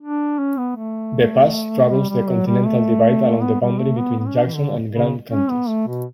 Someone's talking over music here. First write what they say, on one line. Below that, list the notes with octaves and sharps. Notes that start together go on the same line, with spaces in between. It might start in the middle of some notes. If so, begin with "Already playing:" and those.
The pass straddles the continental divide along the boundary between Jackson and Grand counties.
D4
C#4
B3
A3
G3
G3
F#3
G3
A3
B3
G3
A3
B3
B3
C#4
D4
E3
D3
C#3
C#4
B3
A3
B2